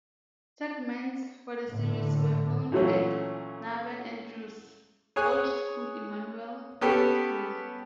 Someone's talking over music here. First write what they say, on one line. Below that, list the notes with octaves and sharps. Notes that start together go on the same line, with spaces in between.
Segments for the series were filmed at Naveen Andrews' old school Emanuel School.
A2 D3
A#2 E3 F#3 A3 C#4
G#4 C#5 G#5 F#6
B3 C#4 G4 A4 B4